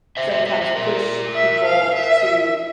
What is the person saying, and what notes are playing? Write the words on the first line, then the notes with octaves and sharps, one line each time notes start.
sometimes push people to,
C5 E5
C5 E5
C5 E5
C5 E5
A#4 D5
E5
F5
E5